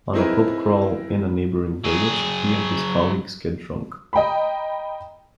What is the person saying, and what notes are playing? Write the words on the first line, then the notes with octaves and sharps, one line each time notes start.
On a pub crawl in a neighbouring village, he and his colleagues get drunk.
C4 D#4 E4 G#4 A#4 B4
F#3 G#4
D#5 G5 A#5 B5